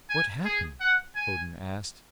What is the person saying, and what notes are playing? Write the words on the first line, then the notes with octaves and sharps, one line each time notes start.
"What happened?" Odin asked.
G#5
G#4
F#5
G#5